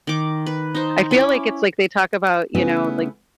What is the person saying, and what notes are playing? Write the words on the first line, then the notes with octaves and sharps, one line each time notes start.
I feel like it's like, they talk about, you know, like,
D#3 D6
B4
D#4 C5
C#4 E4 D6
C#3 A3 B3 C#4 E4 B4